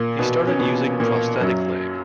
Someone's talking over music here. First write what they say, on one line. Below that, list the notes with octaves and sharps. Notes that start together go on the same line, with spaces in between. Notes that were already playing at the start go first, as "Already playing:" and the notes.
He started using prosthetic leg.
Already playing: A#2 A#3
B2 B3
C#4
B2 B3
A#2 A#3
F#2 F#3